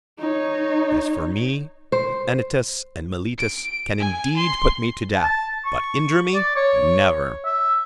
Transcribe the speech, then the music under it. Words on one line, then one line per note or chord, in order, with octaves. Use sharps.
As for me, Anytus and Meletus can indeed put me to death, but injure me, never!
D#4 C#5
C5
D7
G#5
C6
A5
C#6
D5
C#5
E5